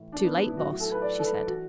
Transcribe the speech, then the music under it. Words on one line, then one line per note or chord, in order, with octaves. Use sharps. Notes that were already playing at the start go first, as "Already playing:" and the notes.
"Too late, Boss," she said.
Already playing: A2 E3
D4
B3
D4
E4
A2 F#3 F#4
F#4
A4
B4
D5
A4
B4
E3 F#4